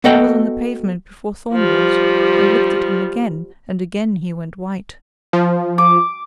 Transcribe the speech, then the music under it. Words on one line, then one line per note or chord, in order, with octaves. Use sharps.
I was on the pavement before Thorn was, and looked at him again, and again he went white.
B3 F#4 A4 D#5 F#5 G5
F3 G3
F3
D6